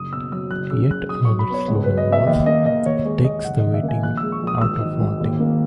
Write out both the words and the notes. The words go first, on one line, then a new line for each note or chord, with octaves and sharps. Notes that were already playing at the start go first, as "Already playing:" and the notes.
Yet another slogan was "It takes the waiting out of wanting".
Already playing: F#1 D#6
B2 E6
F#3 E6
F#1 F#6
C#3 E6
F#3 F#6
B1 D#6
F#3 C#6
B5
B3 C#5
C#2
F#3 B4
D#5
B3 E5
D#2 D#5
A#3 D#5
D#2 D#5
D#2 C#5
G#3 C#5
D#2 D#5
F#1 F#5
D#5
D#3
E5
A#3
G#5
A#1 F#6
G#3 E6
C#6
A#1 D#6
G#1 E6
D#3
G#1
D#2
A#3